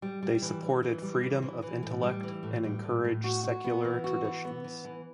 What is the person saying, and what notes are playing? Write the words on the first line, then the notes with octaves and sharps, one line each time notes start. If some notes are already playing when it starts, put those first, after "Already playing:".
They supported Freedom of intellect and encourage secular traditions.
G3
G3
E3
E3
E3
G3
E3
E3
E3
A2
G3
E3
A2
G3
A2
A2
F#4
F#4
B3
E3
F#4
E3
B3
E3
E3